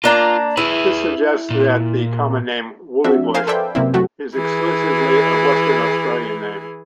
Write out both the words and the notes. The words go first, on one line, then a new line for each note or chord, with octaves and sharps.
This suggests that the common name "woollybush" is exclusively a Western Australian name.
A#3 D4 F4 A#5
E4 G#4 B4
A#2
F3 C4 D4 F#4 E5
A#4 C5 F5 G#5 C6
A4 B4 C5 D5 E5 G5
F#2 C3 A#3 C4 E4
F#3 A3 F#4 G4
E3 G#4